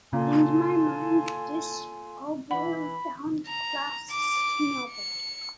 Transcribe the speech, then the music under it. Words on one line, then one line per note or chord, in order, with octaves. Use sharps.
In my mind, this all boils down to class snobbery.
A#2 C#3 A4 G#5 C6
E3 F#5 B5
A#5
D6
C#7